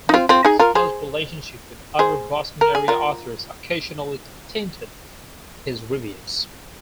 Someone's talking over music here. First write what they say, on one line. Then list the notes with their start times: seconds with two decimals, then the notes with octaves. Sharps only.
Whipple's close relationship with other Boston-area authors occasionally tinted his reviews.
0.09 D#4
0.14 C4 F4
0.29 C4 F4
0.45 D#4 G#4
0.59 F4 A#4
0.75 G#4 C5
1.99 G#4 C5
2.61 A#4
2.75 G#4
2.88 F4 A#4